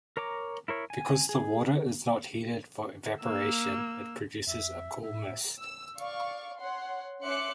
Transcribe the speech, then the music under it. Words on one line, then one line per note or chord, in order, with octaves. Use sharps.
Because the water is not heated for evaporation, it produces a cool mist.
A#4 C#5 A#5 D6
E4 A#4 C#5
G#5
G#4
A#3 E6
F2 E5
A2 E5
E6
D5 F5 C#6
C#5 F#5 C6
C#4 E5 C6 D6 F#6 C#7